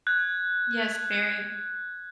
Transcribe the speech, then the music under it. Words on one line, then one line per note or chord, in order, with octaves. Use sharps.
Yes, very.
F#6 G#6